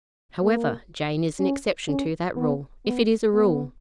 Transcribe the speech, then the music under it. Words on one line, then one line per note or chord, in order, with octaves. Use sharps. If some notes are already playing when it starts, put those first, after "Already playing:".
However, Jane is an exception to that rule--if it is a rule.
A#3
C#4
C#4
B3
B3
B3